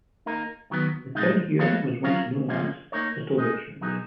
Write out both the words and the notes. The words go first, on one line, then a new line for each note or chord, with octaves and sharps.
The town here was once known as 'Little Richmond'.
A#3 D#4 A#4
D#3 F#3 B3
A#2 G#3 D#4
F3 B3 F#4 C#5 F5
F#3 C#4 F4 A#4 F5
G#2 F3 A#3 C#4 F4
A#3 D#4 A#4 C#5
G#3 D#4 G#4
B2 F#3 B3 D#4 G#4